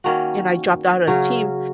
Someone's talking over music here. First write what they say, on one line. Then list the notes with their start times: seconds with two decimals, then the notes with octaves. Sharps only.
and I dropped out of the team,
0.04 D#3 A#3 C#4 F#4
1.07 C#3 F#3 C#4